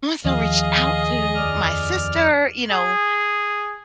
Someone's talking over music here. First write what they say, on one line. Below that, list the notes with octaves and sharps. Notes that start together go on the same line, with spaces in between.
“must have reached out to my sister,” you know,
D#2 F3 G#4 D#5 F5
F2 D5 F6
G#4